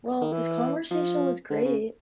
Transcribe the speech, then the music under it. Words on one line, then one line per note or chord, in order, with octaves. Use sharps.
Well, this conversation was great.
D#3
E3
F3
D3
C#3